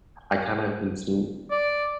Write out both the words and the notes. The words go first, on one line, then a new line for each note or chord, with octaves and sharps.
I kinda have been seeing
D5